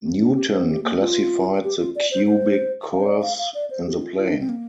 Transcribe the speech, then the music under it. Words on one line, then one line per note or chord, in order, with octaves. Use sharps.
Newton classified the cubic curves in the plane.
C4
C4
D4
G4
C5
G4
A#3
F4
G4
F4
D5
C5
C5
F5
C5
D5
F5
F5
D5
C5
G4
D4
F4
F4
D4
C4
A#3